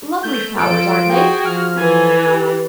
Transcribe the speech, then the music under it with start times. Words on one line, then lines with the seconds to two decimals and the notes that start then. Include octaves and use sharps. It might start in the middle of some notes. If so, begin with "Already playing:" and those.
Lovely flowers, aren't they?
0.23 A3 G6
0.58 F3 A4 D7
1.10 F#4 G#4 G5
1.45 F3 F6
1.77 E3 A4 G#5
2.29 G4